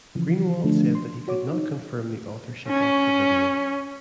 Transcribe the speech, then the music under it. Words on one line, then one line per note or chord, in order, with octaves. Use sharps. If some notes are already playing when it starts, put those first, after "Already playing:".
Greenwald said that he could not confirm the authorship of the video.
C#3 E3 F3
D3 F3 A3 D4
C6
F#4 C#5 D6
D#4
C#4